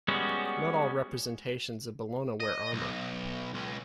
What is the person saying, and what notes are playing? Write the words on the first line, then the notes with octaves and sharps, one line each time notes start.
Not all representations of Bellona wear armour.
G3 G#3 B3 C#4 F#4
D#5
B1
C#2